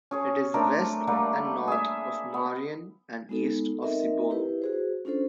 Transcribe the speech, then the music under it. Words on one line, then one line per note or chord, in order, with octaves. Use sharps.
It is west and north of Marion and east of Cibolo.
C#4 G#4 C#5
A3 C4 D4 A#4
G3 A3 A#3 F#5
G#4 E5
B3
G#3 B3 D#4 A4
C4 D#4 A#4 D#5 E5
E4 G4 B4
F#4 G#4 C5
C#4 D4 F4 A4 C5